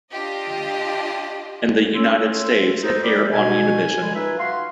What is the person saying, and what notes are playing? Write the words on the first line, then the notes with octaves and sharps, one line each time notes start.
In the United States, it aired on Univision.
D4 F4 G4 D#5
C#4 C#5 C6 E6
D#4 A4 A#4 C5
E4 F4 G4 D5
B2 G#5
G3 G#3
D#4 F4 B4 E5
F#4 F5 C6